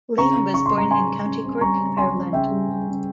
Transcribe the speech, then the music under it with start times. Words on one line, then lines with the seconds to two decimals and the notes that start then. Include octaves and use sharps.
Lane was born in County Cork, Ireland.
0.18 C#3 A#5 C#6
0.36 C#3
0.54 C#3 C#6
0.66 C6
0.73 G3
0.78 A#5
0.90 C#3 G#5 C6
1.08 C#3
1.26 C#3
1.44 C4
1.61 G3 A#5 C#6
1.80 C#3
1.97 C#3 G#5 C6
2.16 C#3
2.33 C#3 E5 G5
2.51 G3
2.69 G3
2.88 C#3